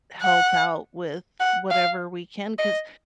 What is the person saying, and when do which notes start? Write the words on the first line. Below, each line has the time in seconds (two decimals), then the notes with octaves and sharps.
help out with whatever we can, 'cause
0.21 F#5
1.40 F#5
1.70 F5
2.59 D#5